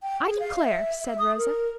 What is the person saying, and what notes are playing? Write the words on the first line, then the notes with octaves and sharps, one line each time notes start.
"I declare!" said Rosa.
G5
G#4
F5
E5
E5
D#6
A#4